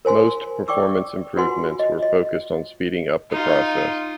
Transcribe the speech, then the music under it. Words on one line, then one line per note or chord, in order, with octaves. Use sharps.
Most performance improvements were focused on speeding up the process.
A#4 C5 G#5 C6
D5 G5 C#6 D6 E6
F4 F#4 B4 F#5 G#5 C6
D#5
D#5
D#4 F4